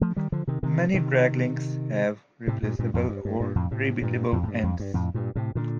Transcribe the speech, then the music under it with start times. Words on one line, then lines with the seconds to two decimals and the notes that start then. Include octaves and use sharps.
Many drag links have replaceable or rebuildable ends.
0.01 F3 A3
0.16 D#3 G3
0.32 D3 F3
0.48 C3 D#3
0.63 C3 D#3
0.94 C3 D#3
2.47 A2 C3
2.63 G2 A#2
2.79 G2 A#2
2.94 F2 A2
3.09 G2
3.25 G2
3.40 G2
3.56 F2 A2
3.71 A2 C3
4.02 G2 A#2
4.33 F2 A2
4.43 A2
4.48 G2
4.63 F2
4.80 G2
4.94 F2 A2
5.14 G2 A#2
5.35 A2 C3
5.55 A#2 D3